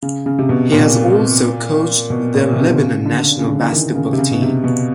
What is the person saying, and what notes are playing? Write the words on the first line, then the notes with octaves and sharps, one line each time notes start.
He has also coached the Lebanon national basketball team.
C#3
C#3
C3
B2
A#2
B2
A#2
C3
B2
D3
C#3
D3
C#3
C#3
D3
E3
D#3
C#3
C3
C#3
B2
C3
B2